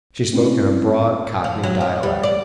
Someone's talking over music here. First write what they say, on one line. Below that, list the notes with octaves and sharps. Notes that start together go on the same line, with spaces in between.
She spoke in a broad Cockney dialect.
A3 C4 C#4 E4
F3
F#3
F3
G3
D5